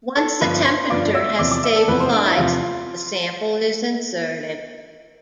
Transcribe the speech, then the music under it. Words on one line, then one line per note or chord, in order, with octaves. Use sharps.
Once the temperature has stabilized the sample is inserted.
A4 A5
G2 D3 F3 B3 F4 B4 B5
C5 C6
G2 D3 F3 B3 F4 D5 D6
E5 E6
E2 C3 F3 D5 D6
D5 D6
E5 E6
A4 A5
E2 C3 F3 B4 B5
C5 C6
D4 D5
E4 E5
E2 C3 F3 F4 F5